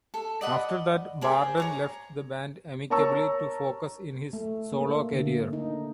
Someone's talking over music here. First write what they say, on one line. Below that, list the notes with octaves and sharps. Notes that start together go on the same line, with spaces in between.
After that, Barden left the band amicably to focus in his solo career.
A4
D5 D#5 F#5 B5
G4 G#4 A#4 C5
C#5 A#5 C#6
A#4 C#5 A5 A#5 C#6 E6
A3
A#3
D3
D#4